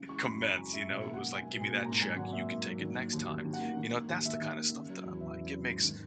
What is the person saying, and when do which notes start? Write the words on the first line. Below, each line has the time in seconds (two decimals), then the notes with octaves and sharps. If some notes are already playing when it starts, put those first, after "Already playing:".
commence, you know? It was like, "Give me that check, you can take it next time," you know, that's the kinda stuff that I like, it makes
Already playing: C#3 E3
0.08 G#3 C#6
0.25 F#2 B5
0.41 F#2 A#5
0.57 C#3 G#5
0.73 G#3 E5
0.89 B2 E5
1.05 A#3
1.13 F#5
1.21 B1
1.36 B1 G#5
1.52 B2
1.61 G#5
1.69 A#3
1.85 G#2 A#5
2.01 F#3 G#5
2.16 G#1 F#5
2.33 A#3 E5
2.49 G#2
2.65 F#3
2.80 D#3
2.97 A#3
3.13 D#2
3.29 D#2
3.45 D#3
3.53 F#5
3.61 A#3
3.77 D#3
3.93 A#3
4.08 D#2
4.25 D#2 E5
4.41 D#3
4.56 A#3
4.72 C#3
4.89 F#3
5.04 E2
5.21 E2 E5
5.37 C#3
5.53 F#3
5.69 G#2
5.85 D#3